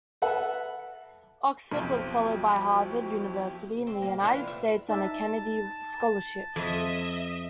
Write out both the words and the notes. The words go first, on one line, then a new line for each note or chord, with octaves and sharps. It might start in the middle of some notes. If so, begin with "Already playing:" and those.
Oxford was followed by Harvard University in the United States, on a Kennedy Scholarship.
A4 B4 E5 F#5
B1 F2 F3 E4 G4
F#4
C4
A#3
D3 E4
E3 F4
E5
D#4 D5 E5 A5
F2 D#5 E5